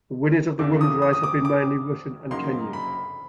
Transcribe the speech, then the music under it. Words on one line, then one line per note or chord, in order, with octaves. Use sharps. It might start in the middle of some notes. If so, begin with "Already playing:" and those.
The winners of the women's race have been mainly Russian and Kenyan.
E2 C#3 E3 A3 D6
D#6
D#6
D#6
D6
D6
F#2 C#3 F#3 A#3 D#4 C6
B5